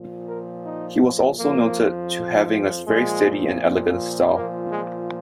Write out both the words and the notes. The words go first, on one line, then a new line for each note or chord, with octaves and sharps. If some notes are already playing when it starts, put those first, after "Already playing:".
He was also noted to having a very steady and elegant style.
Already playing: A#2 F3
A#4
D#4
F2 F3 A#3
A#2 F3 G#3
A#2 F3 A#3
G#3